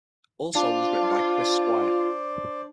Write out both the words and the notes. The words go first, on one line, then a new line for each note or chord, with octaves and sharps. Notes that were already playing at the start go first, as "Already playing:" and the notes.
All songs written by Chris Squire.
D4 F4 C5 D5